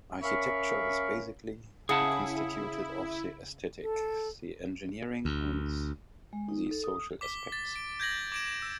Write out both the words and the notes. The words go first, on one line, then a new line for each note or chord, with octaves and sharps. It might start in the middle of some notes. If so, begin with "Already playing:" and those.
Architecture is basically constituted of the aesthetic, the engineering and the social aspects.
C#4 A#4 E5 F5 B5 C#6
C#3 E4 G#4 F#5 A5 D#6
A4
D2
G#3
D#4
A4
D#6
D6 B6 G7
A6
D7
G6 G#6 A#6 F#7
D6 D7 E7
E6